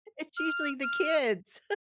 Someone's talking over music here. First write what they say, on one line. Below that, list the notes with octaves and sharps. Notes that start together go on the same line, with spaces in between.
It's usually the kids.
F6
F6